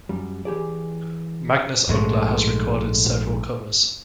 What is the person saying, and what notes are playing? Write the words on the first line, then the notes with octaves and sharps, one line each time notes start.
Magnus Uggla has recorded several covers.
F#2 G3
E3 G4 G#4 D5
A#1 G#2 G#3 A3